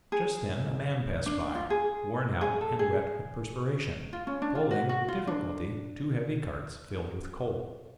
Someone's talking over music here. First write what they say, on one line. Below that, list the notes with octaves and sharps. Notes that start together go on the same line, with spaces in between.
Just then a man passed by, worn out and wet with perspiration, pulling, with difficulty, two heavy carts filled with coal.
G#4
D4
D4
F4
G#4
G#4
A4
G#4
F4
C#4
D4
F4
F#4
F#4
F4
D4